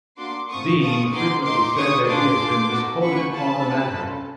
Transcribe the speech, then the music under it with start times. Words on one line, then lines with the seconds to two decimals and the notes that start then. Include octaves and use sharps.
Deane frequently said that he had been misquoted on the matter.
0.17 A#3 D4 F#4 C6 D6
0.49 A3 C4 F4 C#6 D#6
0.80 C4 F4 A4 C#6 D#6
1.12 B3 D#4 G#4 C6 D6
1.43 A#3 D#4 G4 C6 D6
1.74 B3 D4 G4 C#6 D#6
2.06 D4 F4 G#4 C6 D6
2.38 D4 F4 A4
2.69 B3 D#4 F#4 A4
3.01 A#3 C#4 F#4 B5 C#6
3.32 C4 F4 G#4 A5 B5
3.64 A#3 D4 F#4
3.95 C#4 F4 A4